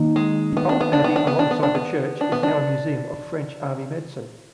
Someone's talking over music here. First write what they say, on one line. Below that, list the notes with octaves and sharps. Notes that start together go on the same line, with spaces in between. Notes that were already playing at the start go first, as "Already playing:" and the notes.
The old abbey alongside the church is now a museum of French army medicine.
Already playing: D#3 A#3 D#4
G#3
B3
D4
B3
D4
B3
D4
B3
D4
B3
D4
B3
D4
B3
D4